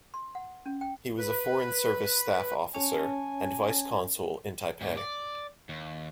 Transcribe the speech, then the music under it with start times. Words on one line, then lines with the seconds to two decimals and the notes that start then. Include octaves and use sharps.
He was a Foreign Service Staff Officer and Vice-Consul in Taipei.
0.14 C6
0.35 F#5
0.66 C#4
0.81 G5
1.18 B4
2.75 C#4 C#5 G#5 A5
4.81 E2 G#2
4.97 D5
5.69 D#2